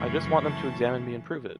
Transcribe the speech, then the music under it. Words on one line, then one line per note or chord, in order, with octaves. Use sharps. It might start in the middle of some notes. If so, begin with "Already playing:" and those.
I just want them to examine me and prove it.
Already playing: F#2 C#3 E3 A3 C#4
A5